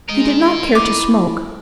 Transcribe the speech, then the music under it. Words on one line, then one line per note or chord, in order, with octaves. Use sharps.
He did not care to smoke.
G#3 A#4 D#5
E4 D6